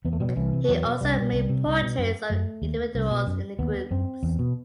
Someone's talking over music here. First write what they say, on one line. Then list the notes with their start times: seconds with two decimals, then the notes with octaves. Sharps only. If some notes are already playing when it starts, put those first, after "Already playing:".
He also made portraits of individuals in the groups.
0.05 E2 B3
0.13 A3
0.20 B2 G3
0.29 F#3
0.36 C2 E3
0.53 C3
0.68 E2 F#3
0.85 B2
1.01 C2 G3
1.18 B2
1.33 C2
1.49 C3
1.66 C2
1.82 B2
1.98 F#2
2.30 F#2 A3
2.62 D#2
2.95 C2
3.11 B2
3.27 F#2
3.59 D#2 B3
3.91 F#2 C4
4.23 E2
4.39 B2